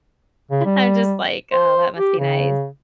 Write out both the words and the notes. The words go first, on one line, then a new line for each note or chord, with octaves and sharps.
I'm just like, "Oh, that must be nice."
C#3
G3
C5
G4
C#3